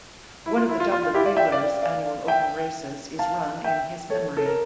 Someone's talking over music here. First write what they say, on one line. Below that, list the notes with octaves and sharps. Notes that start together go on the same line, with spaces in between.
One of the Dublin Wheelers annual open races is run in his memory.
E4
F4
E4
F4
F4
F4
E4 G4
D5 F5
E5 G5
D5 F5
D5 F5
E5 G5
F5 A5
E5 G5
A4 C#5
A4
A#4